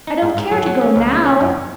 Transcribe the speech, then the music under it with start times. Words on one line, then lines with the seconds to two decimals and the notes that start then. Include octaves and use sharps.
"I don't care to go now."
0.07 D#4
0.22 G#2
0.37 G#2
0.51 F#3
0.66 F#3
0.81 C#4
0.96 C#2
1.11 C#3
1.26 C#4
1.41 F#2